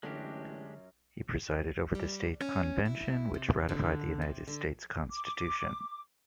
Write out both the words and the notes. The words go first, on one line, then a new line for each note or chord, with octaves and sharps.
He presided over the state convention which ratified the United States Constitution.
A1 F#2 D3 G#3 D4 F4 G4
G3
C#4
E4
C3
D3
C3
D3
D6